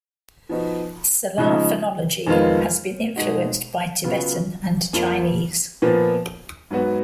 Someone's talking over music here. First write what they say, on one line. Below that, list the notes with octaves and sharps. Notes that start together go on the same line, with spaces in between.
Salar phonology has been influenced by Tibetan and Chinese.
F3 B3 D#4 F#4
C#3 F3 G#3 D#4
F2 D#3 G#3 B3 F4
B2 G#3 D#4 F#4
C#3 F#3 B3 F4
F2 F3 A#3 F4
A#2 F3 B3
G#2 F#3 B3 F#4